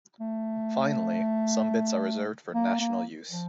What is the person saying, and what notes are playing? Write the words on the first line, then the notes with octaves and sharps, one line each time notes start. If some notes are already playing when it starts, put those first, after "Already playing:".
Finally, some bits are reserved for national use.
A3
A#3
A#3
F3